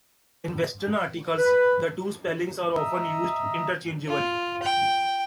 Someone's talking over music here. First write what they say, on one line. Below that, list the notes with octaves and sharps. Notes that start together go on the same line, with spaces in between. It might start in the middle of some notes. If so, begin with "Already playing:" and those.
In Western articles the two spellings are often used interchangeably.
B4
D#5 E5 A#5 D#6 E6
F4
G5